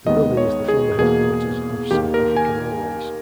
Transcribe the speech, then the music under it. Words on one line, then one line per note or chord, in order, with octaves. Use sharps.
The building is the former headquarters of South African Airways.
D#2 D#3 G#3 B3 D#5
C#5
G#4
E2 B2 A#3 G#4
D#2 D#3 A#3 G4
A#4
G#5